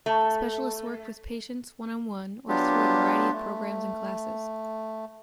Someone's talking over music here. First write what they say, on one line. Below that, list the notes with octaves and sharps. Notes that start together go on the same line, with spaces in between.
Specialists work with patients one-on-one, or through a variety of programs and classes.
A3
F#3 B3 D4 F4 G4
A3